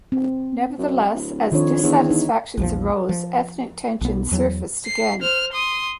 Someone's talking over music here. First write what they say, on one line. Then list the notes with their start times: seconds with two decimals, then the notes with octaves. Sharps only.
Nevertheless, as dissatisfaction arose, ethnic tensions surfaced again.
0.12 C4
0.78 F#2
1.14 D1
1.52 F2 D#3 D4 C#5
1.83 E2 D4 C#5
2.10 D#4
2.57 A#1 E2 F3
3.09 F3
4.01 B1 B3
4.31 E2 F#3
4.86 C7
5.21 C5 F6
5.52 C6 D#6